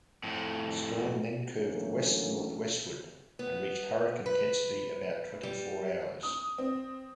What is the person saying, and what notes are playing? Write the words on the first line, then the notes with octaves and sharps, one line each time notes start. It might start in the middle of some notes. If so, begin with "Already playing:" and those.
The storm then curved west-northwestward and reached hurricane intensity about twenty four hours.
F2 A2
D3 E3 F#3 A3 A#3 C#4
B3
B4
G3
D#6
C4